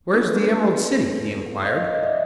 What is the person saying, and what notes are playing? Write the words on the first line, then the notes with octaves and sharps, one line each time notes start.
"Where is the Emerald City?" he inquired.
B3 D4 F4 G#4 A4 B4
D#5 F5
D#5
D5 E5